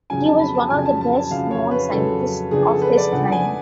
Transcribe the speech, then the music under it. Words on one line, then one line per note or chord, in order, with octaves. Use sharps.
He was one of the best known scientists of his time.
F2 C#3 F#3 C#4 G#5
A5
B5
A5
F2 C#3 F#3 C#4 G#5
A5
A5
A5
F2 C#3 F#3 C#4 F5
C#5
B4
F2 C#3 F#3 C#4 A4
C#3 F3 B3 D4 G#4
A4
B4
D5
C#3 F3 B3 D4 F#5
G#5